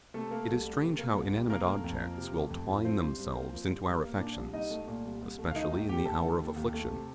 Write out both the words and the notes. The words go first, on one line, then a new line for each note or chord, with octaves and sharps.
It is strange how inanimate objects will twine themselves into our affections, especially in the hour of affliction.
C3 A3 A4
A#3
C2
G3
C3
A#3
C2
G3
C3 A#3 A#4
A3
F2
F3
C3
A3
F2
F3
F3 C4 C5
G2
G2
A#3
F3
G2
G2
A#3
A#2 D4 D5
C2
C2 D#4 D#5
A3
A#2
C2
C2
A3
F5
D#3 D#4 D#5
D#2 D#4 D#5
D#2 G4 G5
A3 A4 A5
D#3
D#2
D#2
A3
C3